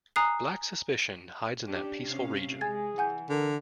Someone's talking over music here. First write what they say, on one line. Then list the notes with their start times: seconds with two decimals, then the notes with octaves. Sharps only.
Black suspicion hides in that peaceful region.
0.16 G#5 A#5 D#6 F#6 C7
1.66 C#4 D4 G4
2.05 C3 C#4 F5
2.61 G#3 G#4 G#5 G#6 A6
2.98 E3 F#5 G#5 G6
3.30 D3 A#4